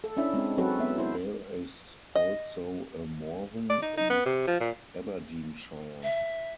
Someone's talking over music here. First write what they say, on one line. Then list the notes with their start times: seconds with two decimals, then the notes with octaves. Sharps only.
There is also a Morven in Aberdeenshire.
0.04 A4
0.17 C#4 D4 E4 E5
0.34 G#3 C4 D#4
0.58 F#3 C4 F#4 A4 B4
0.79 B3 E5
0.98 E4 C5
2.15 D#5
3.70 D5
3.82 D#4
3.97 D#4
4.10 B3
4.26 C3
4.47 F3
4.60 A#2
6.03 E5